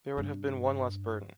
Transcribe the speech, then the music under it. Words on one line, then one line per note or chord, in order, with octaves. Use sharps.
There would have been one less burden.
G2 D4